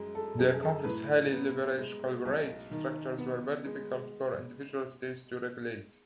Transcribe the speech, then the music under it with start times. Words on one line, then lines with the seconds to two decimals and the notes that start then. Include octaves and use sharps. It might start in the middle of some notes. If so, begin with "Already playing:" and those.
Their complex, highly leveraged, corporate structures were very difficult for individual states to regulate.
Already playing: F#2 G#3
0.15 A4
0.39 F#2 G#4
0.54 G#4
0.62 A4
0.85 A2 B4
1.32 B3
1.78 G#3
2.25 B1
2.71 D#3
3.18 B3
3.65 G#3